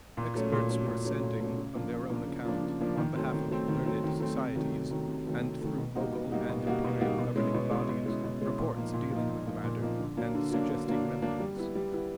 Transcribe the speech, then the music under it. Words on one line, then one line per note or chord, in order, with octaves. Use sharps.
Experts were sending--on their own account, on behalf of learned societies, and through local and imperial governing bodies--reports dealing with the matter, and suggesting remedies.
A#2
F#3 A3 C#4
A#2
F#3 A3 C#4
A#2
F#3 A3 C#4
A#2
F#3 A3 C#4
C#3
F3 A#3 D4
C#3
F3 A#3 D4
C#3
F3 A#3 D4
C#3
F3 A#3 D4
D#3
F#3 A3 C4
D#3
F#3 A3 C4
D#3
F#3 A3 C4
D#3
F#3 A3 C4
C3
D#3 F#3 A3
C3
D#3 F#3 A3
C3
D#3 F#3 A3
C3
D#3 F#3 A3
B2
G3 A#3 D#4 F#4
B2
G3 A#3 D#4 F#4
B2
G3 A#3 D#4 F#4
B2
G3 A#3 D#4 F#4
B2
G#3 C#4 E4
B2
G#3 C#4 E4
B2
G#3 C#4 E4
B2
G#3 C#4 E4
A#2
F3 A#3 D#4
A#2
F3 A#3 D#4
A#2
F3 A#3 D#4
A#2
F3 A#3 D#4
D3
F#3 A#3 D4
D3
F#3 A#3 D4
D3
F#3 A#3 D4
D3
F#3 A#3 D4
G3
B3 E4
G3
B3 E4